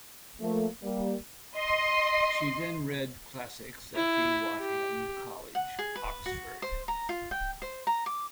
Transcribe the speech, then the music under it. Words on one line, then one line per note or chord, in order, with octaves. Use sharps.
She then read Classics at Wadham College, Oxford.
F3 A3 A#3
G3 A#3 D5
D#5 C6
E4
G4
F#5
G#4
B4
F#4
C5
A#5
F4
G5
C5
A#5
D6